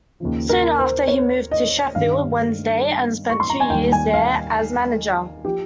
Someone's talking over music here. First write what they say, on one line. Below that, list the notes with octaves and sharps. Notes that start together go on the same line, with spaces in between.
Soon after, he moved to Sheffield Wednesday and spent two years there as manager.
D#2 C#3 F3
A#4
C5
C#5
D#5
G2 D#3 G3 F5
C#6
C6
A#5
G#5
D#2 D#3 G3 G5
G#5
F5
F3 G4